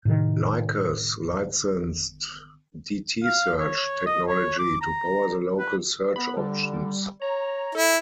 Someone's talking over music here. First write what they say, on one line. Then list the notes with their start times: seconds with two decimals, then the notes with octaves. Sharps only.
Lycos licensed dtSearch technology to power the local search options.
0.05 A2 C3 D#3
3.24 F5
3.60 C#5
4.06 D#5
4.28 C#5
4.59 D6
4.81 A#5
5.59 B4
6.16 B3 B5
6.37 D3 G3
7.22 C#5 A#5
7.75 E4 A4